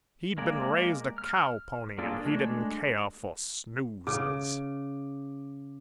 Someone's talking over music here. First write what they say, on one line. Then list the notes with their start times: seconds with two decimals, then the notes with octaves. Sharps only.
He'd been raised a cow pony and he didn't care for snoozers.
0.38 G#3 A#3 A#4 D5
1.18 F6
1.98 A#3 D4 F4 G#4 A4
2.26 G#3 A3 D4
4.07 C#3 D6